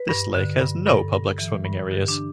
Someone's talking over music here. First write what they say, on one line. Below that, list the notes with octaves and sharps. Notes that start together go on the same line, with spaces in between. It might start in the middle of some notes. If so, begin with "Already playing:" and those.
This lake has no public swimming areas.
Already playing: B4
G2
D3
G2
G2 A4
G2
E3
G2
D3 G4
D4